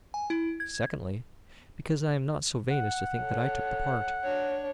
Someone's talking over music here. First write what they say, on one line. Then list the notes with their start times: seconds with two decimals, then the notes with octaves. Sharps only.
Secondly, because I am not so vain as to think that I look the part.
0.14 G#5
0.30 E4
0.60 G#6
2.70 F#5
3.17 A4 C#5
4.24 D4 C#5